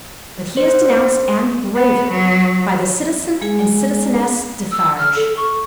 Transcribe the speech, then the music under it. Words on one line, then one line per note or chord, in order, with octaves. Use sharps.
But he is denounced--and gravely--by the Citizen and Citizeness Defarge.
C5
B3
F#3
G#3 G#4 G#5
E6
F6
A4
C#6